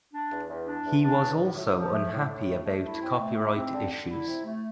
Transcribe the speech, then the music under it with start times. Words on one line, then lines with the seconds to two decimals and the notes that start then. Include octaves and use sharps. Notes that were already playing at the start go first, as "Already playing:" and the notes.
He was also unhappy about copyright issues.
0.13 D4
0.30 E2
0.49 E2
0.66 D4
0.84 E2
1.02 D4
1.20 E2
1.39 A2
1.57 A2
1.75 F3
1.93 A3
2.11 A2
2.29 A2
2.47 A3
2.65 A3
2.83 E4
3.01 C4
3.18 A3
3.38 E4
3.55 C4
3.73 D3
3.92 D3
4.09 E4
4.27 C3
4.45 A3